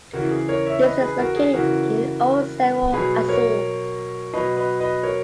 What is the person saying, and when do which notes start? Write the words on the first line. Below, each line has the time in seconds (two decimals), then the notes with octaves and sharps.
This is located in old Cerro Azul.
0.13 C#3 E3 F#4 A#4
0.31 G#4
0.49 A#4 C#5
0.66 C#5 E5
0.83 B4 D#5
1.01 G#4 B4
1.19 F#4 A#4
1.36 G#4
1.53 C#3 E3 F#4 A#4
2.93 B2 F#3 G#4 B4
3.29 A#4 C#5
4.33 B2 F#3 B4 D#5
4.57 B4 D#5
4.80 B4 D#5
5.03 A#4 C#5